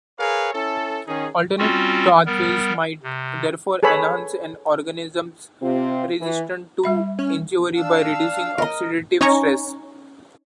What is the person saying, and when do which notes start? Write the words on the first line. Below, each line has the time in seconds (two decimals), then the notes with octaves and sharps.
Alternative pathways might, therefore, enhance an organisms' resistance to injury, by reducing oxidative stress.
0.19 G#4 A#4 B4 C#5 F5
0.53 C#4 E4 A4
1.07 D#3 C#4 D#4 G#4
1.58 G3 C4 C#4 F4 F#4
2.26 G3 B3 A#4
3.03 C3
3.83 G#4 A4 B4 C#5 B5
5.62 C3 C4 F4
6.20 E3
6.83 G3 E5 B5
7.19 C#4
7.76 D4 F5 E6
8.58 A#4 D#5
9.21 C#4 D#4 C#5 G#5 A#5 C#6